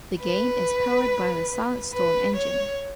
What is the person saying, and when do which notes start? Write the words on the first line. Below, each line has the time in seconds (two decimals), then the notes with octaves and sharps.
The game is powered by the Silent Storm engine.
0.21 B4
1.93 B4
2.36 C#5